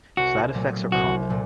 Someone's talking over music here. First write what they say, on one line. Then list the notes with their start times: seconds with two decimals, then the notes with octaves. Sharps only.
Side effects are common.
0.17 C2 F#4
0.55 A#2 F#3 A3
0.92 C2 F#4
1.29 A#2 F#3 A3